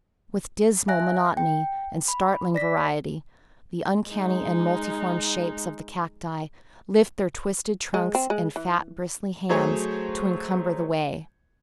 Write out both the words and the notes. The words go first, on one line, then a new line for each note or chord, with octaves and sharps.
With dismal monotony and startling variety the uncanny and multiform shapes of the cacti lift their twisted trunks, and fat, bristly hands to encumber the way.
E5 G#5 F#6 A#6
G5
B5
D5 A#6 B6
G#3 D#4
G#3
C4
G#3
E3
F#3 A3 G#4 C5 C#5